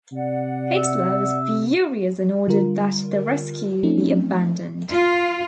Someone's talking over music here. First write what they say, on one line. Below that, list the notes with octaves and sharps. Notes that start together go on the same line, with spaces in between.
Hitler was furious and ordered that the rescue be abandoned.
C3 D5 F#5
E5
D3 G3 F4 A#4
F3 A3 C4 C#4 D#4
F4